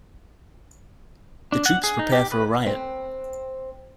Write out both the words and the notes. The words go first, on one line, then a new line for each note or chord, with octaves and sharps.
The troops prepare for a riot.
D4
F#5
G#4
D#4
G4
B4
C4